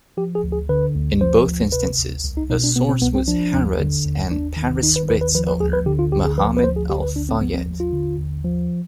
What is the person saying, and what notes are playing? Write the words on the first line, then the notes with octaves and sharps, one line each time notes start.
In both instances, a source was Harrod's and Paris Ritz owner Mohammed Al-Fayed.
F3 G4
G#4
D2
G#4
D3 B4
D2
F3 C5
D2
C3 B4
D2
C2
D#4
B2 D#4
D4
B2 B3
C4
C2 B3
C4
F3 D4
D#2
D3
D#2
D#2 D4
D#3
D#3 D#4
B4
D#2 B4
B4
F3 B4
B4
D2 G#4
B4
D3 G4
F4
D2 G4
G#4
F3 B4
B4
D2 C5
G#4
D3 G4
B4
D2 D4
C4
F3 B3
C4
D#2
F4
D3
D#2
F3